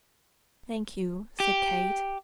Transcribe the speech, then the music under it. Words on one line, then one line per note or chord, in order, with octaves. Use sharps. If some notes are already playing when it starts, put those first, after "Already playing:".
"Thank you," said Kate.
G4